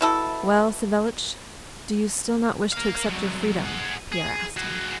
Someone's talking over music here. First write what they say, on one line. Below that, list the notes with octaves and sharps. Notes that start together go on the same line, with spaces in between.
"Well, Savelich, do you still not wish to accept your freedom?" Pierre asked him.
B2 E4 A4
A#4 F5
C2 F#3
G#4 F#5
G#4
F#4 G#4